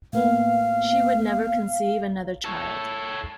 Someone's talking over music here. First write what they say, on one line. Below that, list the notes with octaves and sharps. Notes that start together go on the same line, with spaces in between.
She would never conceive another child.
A2 A#3 B3 F5
A4 C#5